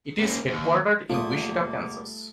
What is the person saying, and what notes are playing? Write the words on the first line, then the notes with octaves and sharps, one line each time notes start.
It is headquartered in Wichita, Kansas.
A#3 C#4
D#2
E2 C3 G3 A3 A#3 F4 D#6